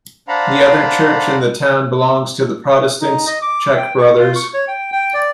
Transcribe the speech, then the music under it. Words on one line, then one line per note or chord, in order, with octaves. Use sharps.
The other church in the town belongs to the Protestants, Czech Brothers.
D4 C5 F5 F#5 A#5 B5
D#4
D#5
D6
G5
C#6
F4
C#6
C#5
G5
G5
D5